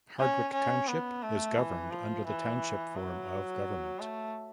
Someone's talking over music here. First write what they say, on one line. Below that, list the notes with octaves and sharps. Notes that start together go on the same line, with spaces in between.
Hardwick Township is governed under the Township form of government.
C#4
C#4
B3
A3
E3
F3
E3
F#3
A3